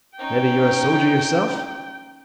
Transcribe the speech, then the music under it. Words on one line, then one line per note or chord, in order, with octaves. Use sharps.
"Mebbe you're a sojer yourself?"
C#4 D#4 G5